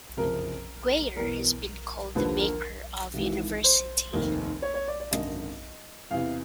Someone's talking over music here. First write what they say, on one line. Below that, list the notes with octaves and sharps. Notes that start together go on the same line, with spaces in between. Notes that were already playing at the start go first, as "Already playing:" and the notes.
Gwyer has been called the "maker of university".
F#1 F2 C3 F3 A#4
E2 B2 A#4
D#2 D3 F3 B4
A#4
G#1 G#2 E3
C5
F1 D#2 D#3
C#5
C#5
D5
D5
G#1 F#2 D3 D#5
E2 C3 E3 F5